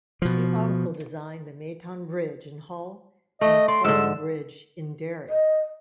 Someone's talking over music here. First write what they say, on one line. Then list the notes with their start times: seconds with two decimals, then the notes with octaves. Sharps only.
He also designed the Myton bridge in Hull and the Foyle Bridge in Derry.
0.22 B2 F3
3.41 A3 D#5
3.68 D5 C6
3.85 G#2 D3 E6
5.29 D#5